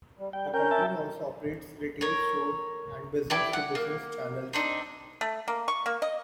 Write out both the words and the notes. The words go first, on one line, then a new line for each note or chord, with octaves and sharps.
The company also operates retail store and business-to-business channels.
G3
G3 G5
C#4 A#4 G5 G6
E5 G5 A5
A#4 C#5
E4 G4 D5 A5
F#5
A#3
C4 D4 D#4
A3
A#3
C#6
A#3
D#5